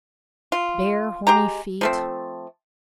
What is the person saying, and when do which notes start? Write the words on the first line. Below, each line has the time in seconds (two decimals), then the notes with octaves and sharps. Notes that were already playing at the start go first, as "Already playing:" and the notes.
Bare, horny feet.
0.52 F4
1.27 G#3 G4 A#5
1.81 F3 A3 C4